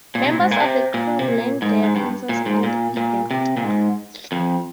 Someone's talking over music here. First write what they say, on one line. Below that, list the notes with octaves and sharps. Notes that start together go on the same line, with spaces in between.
Members of the crew blamed their cancers on the event.
A#2
C3
A#2
G#2
A#2
C3
A#2
C3
A#2
G#2
G#2
G2
A#2
G#2
A#2
A#2
C3
A#2
G#2
F2